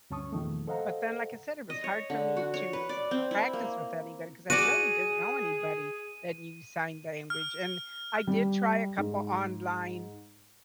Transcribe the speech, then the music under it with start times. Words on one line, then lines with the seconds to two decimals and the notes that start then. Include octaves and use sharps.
but then, like I said, it was hard for me to practice with anybody 'cause I really didn't know anybody that knew sign language, and I did try a couple online
0.10 D2 G2 C#4 A5 C#6 D#6
0.32 E2 A#2 D#3 F3 A3 A#3
0.67 A4 C5 D#5 F5 F#5 A#5
1.70 D#5
1.84 C#5
2.10 D3
2.37 F#4
2.54 C#5
2.73 B4
2.89 D5
3.11 C4
3.31 E4
3.53 A#3
4.50 F#4 G#4 D5 D#7
7.30 F6
8.27 G3
8.97 G#2